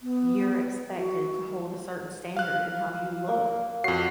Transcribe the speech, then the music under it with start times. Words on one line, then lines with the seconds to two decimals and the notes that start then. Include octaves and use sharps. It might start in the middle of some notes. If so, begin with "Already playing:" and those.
you're expected to hold a certain standard in how you look,
0.02 B3
0.95 F#4
2.37 F5 F#6
3.28 A#3
3.84 F2 F#4 C7